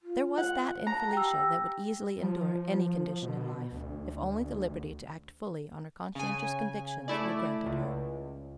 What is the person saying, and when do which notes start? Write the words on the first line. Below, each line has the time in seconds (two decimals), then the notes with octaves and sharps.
There was that in Felicia that would easily endure any condition in life if only the liberty to act fully on her conscientious convictions were granted her.
0.03 F4
0.38 F#5
0.87 A5 A#5
1.13 G4 G5 E6
2.18 F3
3.22 B2
3.72 D2
6.15 C#3 G#5
7.08 A3 E4 D5
7.66 C#2